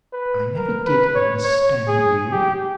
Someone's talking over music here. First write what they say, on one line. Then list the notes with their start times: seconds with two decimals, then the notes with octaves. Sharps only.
"I never did understand you."
0.13 B4
0.57 A#4
0.86 B4
1.15 C#5
1.44 C#5
1.88 G#4
2.32 G4